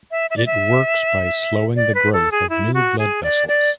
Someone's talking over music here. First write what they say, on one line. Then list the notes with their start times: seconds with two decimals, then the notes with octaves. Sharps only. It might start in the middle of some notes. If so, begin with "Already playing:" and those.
It works by slowing the growth of new blood vessels.
0.11 E5
0.30 E5
0.37 D5
0.46 E5
1.76 D5
1.95 B4
2.13 A4
2.32 G#4
2.50 E4
2.74 F#4
2.99 G#4
3.23 D5
3.48 D5